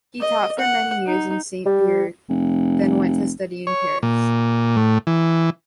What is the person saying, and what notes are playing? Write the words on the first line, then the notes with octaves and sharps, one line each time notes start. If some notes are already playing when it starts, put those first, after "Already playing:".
He taught for many years in Saint-Brieuc, then went to study in Paris.
D#5
F#5
D#4
G3
F1
C#5
A#2
A2
E3